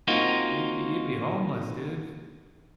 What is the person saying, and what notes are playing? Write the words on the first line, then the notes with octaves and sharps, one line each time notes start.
You'd be you'd be homeless, dude.
A#3 C4 D#4 F4 F#4